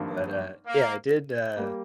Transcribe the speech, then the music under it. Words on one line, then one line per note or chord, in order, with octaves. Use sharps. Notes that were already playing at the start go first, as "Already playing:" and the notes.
But, uh, yeah, I did, uh
Already playing: G#1 G2 F3 A#3
A#3
G3 A#3